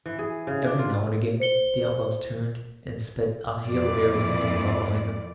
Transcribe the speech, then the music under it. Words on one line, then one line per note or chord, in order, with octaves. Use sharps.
Every now and again the outlaws turned and sped a hail of arrows into the mob behind them.
E3
G#4
C#3
D4
F4
C5 C#7 G7
F2 A#2 E3 D5